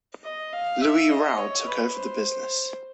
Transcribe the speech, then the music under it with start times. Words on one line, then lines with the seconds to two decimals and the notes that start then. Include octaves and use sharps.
Louis Rao took over the business.
0.23 D#5
0.52 F5
0.81 E5
1.09 D#5
1.37 C#5
1.67 B4
1.95 C5